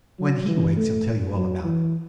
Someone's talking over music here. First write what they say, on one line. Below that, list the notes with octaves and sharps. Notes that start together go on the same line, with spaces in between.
When he wakes he'll tell you all about it.
F#3
E3
A3
F#3
E3